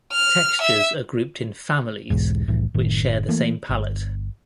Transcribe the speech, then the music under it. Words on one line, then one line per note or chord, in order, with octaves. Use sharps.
Textures are grouped in "families" which share the same palette.
F6
E5
B1 E2 G#2
F1 C2 A2 E3
F#1 A2 D#3
E3 A3 A#3
G1